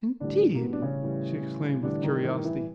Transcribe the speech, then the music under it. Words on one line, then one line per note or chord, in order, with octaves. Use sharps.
"Indeed!" she exclaimed with curiosity.
A2 D3 E3 G3 D4
A#3
B2 B3
D4
C#3 C#4
A2 E3 G3
A2 D3 E3 G3 D4
D#3 D#4
D#3 D#4
E3 E4